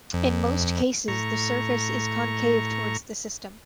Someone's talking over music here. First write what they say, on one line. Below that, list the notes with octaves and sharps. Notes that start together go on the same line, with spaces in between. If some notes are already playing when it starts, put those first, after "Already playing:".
In most cases the surface is concave towards the system.
F2
A2 A#5 C#6